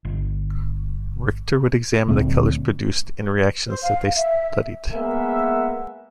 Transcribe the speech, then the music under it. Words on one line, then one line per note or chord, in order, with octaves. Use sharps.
Richter would examine the colors produced in reactions that they studied.
G1
D2 A#2 A3 C4
C5
F5
E5
G#3 A#3 B3 E5